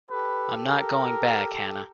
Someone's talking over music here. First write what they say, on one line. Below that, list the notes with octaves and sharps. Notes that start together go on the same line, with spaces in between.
I’m not going back, Hannah.
G4 A4 B4
A#4